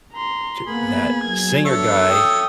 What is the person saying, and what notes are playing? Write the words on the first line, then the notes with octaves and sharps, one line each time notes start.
t that singer guy,
A#5 C6
A#3 B3 G#4 B5
F#3 G#6
B3 D4 A4 C#5 E5
G5 D#6